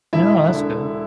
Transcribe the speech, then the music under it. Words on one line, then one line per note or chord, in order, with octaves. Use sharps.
No, that's good.
E1 E4 E5
D3